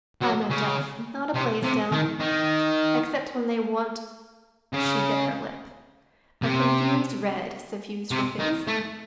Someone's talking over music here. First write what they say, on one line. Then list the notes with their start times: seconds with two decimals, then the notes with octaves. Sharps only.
"I'm a Duff, not a Blaisdell--except when they want--" She bit her lip. A confused red suffused her face.
0.22 F#3
0.50 C#3
1.35 C3
1.63 C3
1.92 D#3
2.20 D#3
4.73 C#3
6.42 C3
8.11 C3
8.39 D#3
8.67 A3